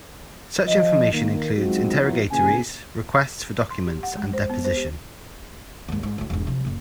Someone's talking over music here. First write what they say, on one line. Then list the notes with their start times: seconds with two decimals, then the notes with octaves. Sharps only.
Such information includes interrogatories, requests for documents and deposition.
0.67 F3 D#5
1.13 D#3 A#3
1.57 F#3 G#3 C4 D#4 F4 F#4
2.01 G#1 F3 F#3 B3 E4
2.31 A#2 C#3 E3 G#4 G#5
3.70 C6
3.87 G4
4.03 F#5
4.17 G#3
4.33 C5
4.50 B3
4.65 C5
4.77 G4
5.88 D#2 G#2
6.03 G#2
6.18 D2 A2
6.30 E1 G#2
6.47 C3 F3
6.65 F#1 A#2